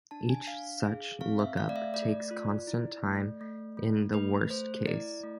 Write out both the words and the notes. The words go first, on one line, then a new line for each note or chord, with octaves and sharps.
Each such lookup takes constant time in the worst case.
D4 A5
G#5
D4 F5
G#4
C4 F5
E5
A3 F5
D5
E5
A3 D5
F4
E4
A3
A3
A3
A3 B4
A3 C5
E4 D5
A3